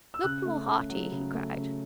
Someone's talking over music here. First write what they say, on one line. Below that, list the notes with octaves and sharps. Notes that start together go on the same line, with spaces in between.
"Look more hearty!" he cried.
E6
C#3 F#6
A3
C#3
F#3
C#3
A3
C#3